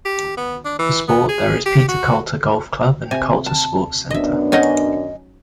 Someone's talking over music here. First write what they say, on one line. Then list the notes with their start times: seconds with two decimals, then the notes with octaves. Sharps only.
For sport, there is Peterculter Golf Club and Culter Sports Centre.
0.05 G4
0.37 B3
0.65 D4
0.79 E3
1.08 B3
1.29 G#4
1.66 G4
1.88 F#4
3.11 C3 G#5
3.46 A5
4.11 F#2 B3 D4 D#5 E5
4.52 F#3 C#4 D#4 D#5 G#5